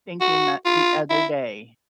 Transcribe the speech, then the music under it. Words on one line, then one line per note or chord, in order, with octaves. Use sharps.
thinking that the other day.
F#4
F4
E4